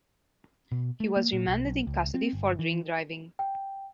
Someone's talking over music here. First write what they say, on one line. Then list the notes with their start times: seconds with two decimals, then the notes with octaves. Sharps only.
He was remanded in custody for drink driving.
0.72 B2
1.00 A3
1.17 A#3
1.33 A#2
1.47 B1
1.66 B1
1.87 C#2
2.14 C4
2.33 G1
2.59 E3
3.39 G5